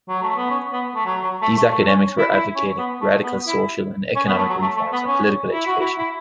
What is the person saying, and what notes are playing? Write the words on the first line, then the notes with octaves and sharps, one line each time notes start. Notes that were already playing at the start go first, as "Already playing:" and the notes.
These academics were advocating radical social and economic reforms and political education.
F#3
A3
B3
C#4
B3
A3
F#3
F#3
A3
A3
A3
C#4
E4
E4
C#4
B3
A3
B3
E4
C#4
B3
A3
F#3
A3
A3
B3
C#4
E4
F#4
E4
E4